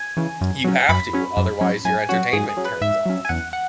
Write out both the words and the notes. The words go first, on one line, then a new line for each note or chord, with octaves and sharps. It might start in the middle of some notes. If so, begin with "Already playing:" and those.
You have to, otherwise your entertainment turns off.
Already playing: G#5
C#3 E3
F#2
F#3 C#4
F#2 B5
F#3 C#4
F#2
F#3 C#4
F#2 G#5
F#3 C#4 F#4
G#2 G#4
G#4
F#3 C#4
B4
G#2 E5
F#3 C#4
G#5
E2 F#5
F#5